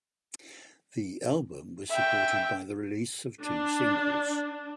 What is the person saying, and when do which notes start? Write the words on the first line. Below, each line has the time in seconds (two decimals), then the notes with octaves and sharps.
The album was supported by the release of two singles.
1.91 E5 G5
3.43 D4